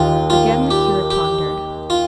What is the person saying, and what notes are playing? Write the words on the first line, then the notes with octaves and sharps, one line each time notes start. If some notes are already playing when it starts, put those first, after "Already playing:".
Again the curate pondered.
Already playing: D#2 D#3 F4
F4
G4
G4
F4